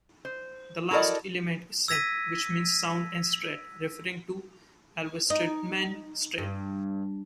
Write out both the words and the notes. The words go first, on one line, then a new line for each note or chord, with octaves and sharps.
The last element is "sund" which means "sound" or "strait", referring to Alverstraumen strait.
C5
E4 F#4 A4 A#4 D5 D#5
E6 G#6 A#6 B6 D#7
D#4
G2